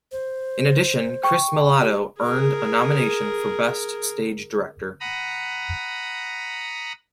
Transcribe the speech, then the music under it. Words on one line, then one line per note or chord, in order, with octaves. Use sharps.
In addition, Chris Millado earned a nomination for Best Stage Director.
C5
G5 C#6
G4
G#4 A#4
F#5 A#5 B5 D#6